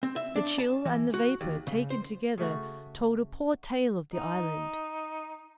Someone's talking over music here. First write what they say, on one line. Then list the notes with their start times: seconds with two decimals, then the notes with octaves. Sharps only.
The chill and the vapour taken together told a poor tale of the island.
0.03 C4
0.16 E5
0.36 D4
0.58 A5
0.85 E3
1.14 F#4
1.41 D#2
1.67 C#3
1.90 C5
2.38 C#3 A3 F#4
4.14 D#4